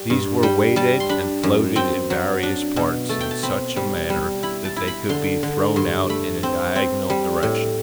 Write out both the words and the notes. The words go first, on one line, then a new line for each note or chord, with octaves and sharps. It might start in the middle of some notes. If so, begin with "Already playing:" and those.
These were weighted and floated in various parts in such a manner that they could be thrown out in a diagonal direction.
Already playing: G3
G2
G3 G5
G3 A5
C6
D4 B5
F#2
C4 G5
F#3
D4
B2
A3 A5
G5
A5
C4 B5
G3
G3
E4 B5
A5
E4
B5
D3 C6
D3
G2 C6
A3 B5
C4
C4
G3
A2